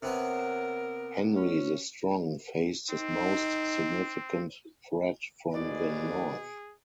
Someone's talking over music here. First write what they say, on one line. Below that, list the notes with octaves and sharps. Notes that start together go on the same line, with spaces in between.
Henry the Strong faced his most significant threat from the north.
C3 B3 A#4 C#5
C#4
C4 D#4
D#2 B2 G#4 D5